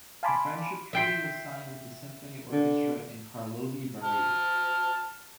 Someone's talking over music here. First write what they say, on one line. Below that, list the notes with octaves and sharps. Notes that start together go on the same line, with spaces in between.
A friendship treaty was signed with the symphony orchestra in Karlovy Vary.
F5 G#5 A5 B5 C6 D6
E5 G5 C6
D3
A5 F6